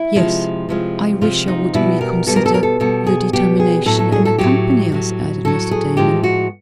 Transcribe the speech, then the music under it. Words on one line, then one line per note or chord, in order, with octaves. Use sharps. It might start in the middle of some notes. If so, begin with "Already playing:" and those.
"Yes, I wish you would reconsider your determination, and accompany us," added Mr. Damon.
Already playing: E4
C3 F3 G#3
C3 F3 G#3
C3 F3 G#3 F4
D#4
B2 G3 E4
A#4
B2 G3 A4
A#4
A4
A#4
A4
B2 G3 A4
G#4
B2 G3 G4
G#4
A2 F#3 A4
A4
G#4
A4
A2 F#3 G4
A2 F#3
A2 F#3 A4
G#4
A2 F3 G#3 G4
F#4